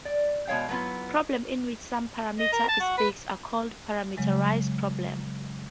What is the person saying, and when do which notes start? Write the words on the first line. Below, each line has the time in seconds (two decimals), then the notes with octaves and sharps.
Problems in which some parameter is fixed are called parameterized problems.
0.05 D5
0.47 B2 G#3 C#5 F5 G5
0.69 F#3 A3 B3 E4 F4
2.39 D#5
2.52 A#4
2.68 A5
2.80 F#4
2.98 B4
4.17 C#3 F#3 G#3